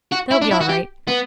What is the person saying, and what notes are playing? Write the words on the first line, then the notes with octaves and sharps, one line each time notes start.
'They'll be all right.
F#4
E4
D4
E4
F#4
G4
B3